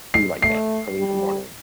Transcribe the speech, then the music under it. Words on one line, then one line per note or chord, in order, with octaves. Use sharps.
food, like that early in the morning.
C7
A3 C7
G3